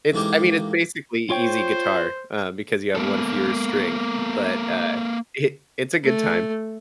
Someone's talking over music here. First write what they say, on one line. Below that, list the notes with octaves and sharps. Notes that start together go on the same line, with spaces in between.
It's I mean, it's basically easy guitar, uh, because you have one fewer string, but, uh, it it's a good time.
A1 G#2 A#3 G4
F4 C5 C#5 G5
G#3 A#3 B3 A4
A3